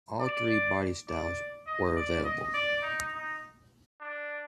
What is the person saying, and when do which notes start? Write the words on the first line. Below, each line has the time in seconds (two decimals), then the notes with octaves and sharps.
All three body styles were available.
0.20 D5
1.08 D5
1.66 D#5
1.96 D5
2.24 D#5
2.54 D5
2.83 D#4
3.13 D#4
4.01 D4